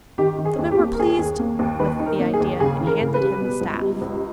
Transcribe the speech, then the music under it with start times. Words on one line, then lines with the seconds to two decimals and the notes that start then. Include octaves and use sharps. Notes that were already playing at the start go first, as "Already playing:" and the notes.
The men were pleased with the idea, and handed him the staff.
0.18 D#3 G4
0.38 D#3
0.45 G#4
0.59 D#2
0.71 G4
0.79 A#3
0.94 A#4
0.99 D#2 G#4
1.19 D#2
1.39 A#3
1.59 D#2
1.79 D#3 B4
2.00 D#4
2.06 A#4
2.20 A#3
2.33 G#4
2.40 D#2
2.60 C#3 G#4
2.80 E3
2.87 A#4
3.01 C#3
3.14 B4
3.21 G3
3.41 B2
3.61 C#2
3.81 G3
4.01 C#2